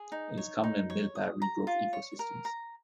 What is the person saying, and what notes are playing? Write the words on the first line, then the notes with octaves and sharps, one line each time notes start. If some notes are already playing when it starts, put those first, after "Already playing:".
It is common in milpa regrowth ecosystems.
Already playing: G#4
D#4
C#5
D#4
C#5
D#6
A#5
F4
C#5
A#4
A#5